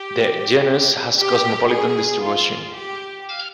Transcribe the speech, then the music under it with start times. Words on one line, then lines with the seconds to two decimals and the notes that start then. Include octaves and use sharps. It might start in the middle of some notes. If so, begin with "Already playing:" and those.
The genus has cosmopolitan distribution.
Already playing: G4
1.19 G4
1.71 G#4
2.23 F4
2.75 G4